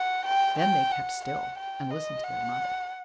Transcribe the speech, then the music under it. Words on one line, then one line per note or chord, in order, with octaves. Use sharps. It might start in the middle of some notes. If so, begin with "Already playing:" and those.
Then they kept still and listened to their mother.
Already playing: F#5
G5
G5
F#5
F#5
G5
D#5
F#5